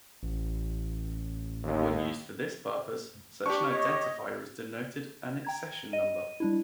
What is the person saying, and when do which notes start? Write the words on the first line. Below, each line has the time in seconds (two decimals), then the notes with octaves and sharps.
When used for this purpose, such an identifier is denoted an accession number.
0.23 A1
1.64 D#2
3.46 D4 G4 C#6
3.71 C#5 D#5
5.45 G5 A#5 G#6
5.93 D#5 D#7
6.40 G3 D4 E4